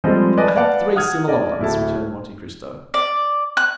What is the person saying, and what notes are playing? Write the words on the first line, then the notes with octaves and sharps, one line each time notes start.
"I had three similar ones," returned Monte Cristo.
F3 G3 G#3 C4 A4 D#5
B4 D5 D#5 G#5 A5
B4 D5 F5 F#5 A5
F#5 D#6 F6 G#6
D5 D#5
D1 E4 A4 A5
D5
F#6